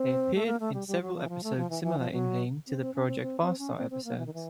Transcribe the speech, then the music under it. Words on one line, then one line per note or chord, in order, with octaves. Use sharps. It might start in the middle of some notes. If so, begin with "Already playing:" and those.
They appeared in several episodes similar in vein to the Project Farstar episodes.
Already playing: C4
A3
A#3
A3
G3
G3
F#3
F3
E3
F3
A3
F3
E3
E3
F3
F#3
C4
C4
C#4
C4
C4
C4
C#4
C4
C4
A#3
E3
D#3
E3